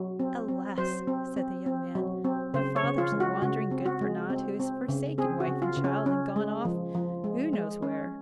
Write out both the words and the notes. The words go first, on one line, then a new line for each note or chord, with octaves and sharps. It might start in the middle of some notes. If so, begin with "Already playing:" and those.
'Alas!' said the young man, 'her father is a wandering good-for-naught, who has forsaken wife and child, and gone off--who knows where?
Already playing: F#3
C4
C4
F#3 C5
C4
C4
C4
F#3
C4
C#3 C5
C#5
C#3
F4
G#3
F#4
C#3 F#4
C4
F#4
G#3
C4
C4
C#3
C4 G#4
F#4
C#3
F4
C#3
C#4
C#4
G#3
F3
F3
G#3
G#3
C#4